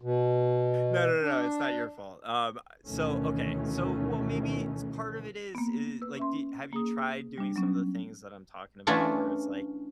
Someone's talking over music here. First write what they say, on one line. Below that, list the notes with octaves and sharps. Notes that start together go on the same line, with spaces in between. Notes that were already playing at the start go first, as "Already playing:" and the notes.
No, no, no, no, it's not your fault. Um, uh, so, okay so, well, maybe s part of it is i like, d have you tried doing some of the things that I'm talking about where it's like,
B2
D4
D2 B2 D#3 E3 A3 C#4
A#3 B3
B4 E6
C#4 E5 C6
A#3 G#4 D#6
G3 D4
F#3 B3 C#4
E3 A3 C#4 D4 F4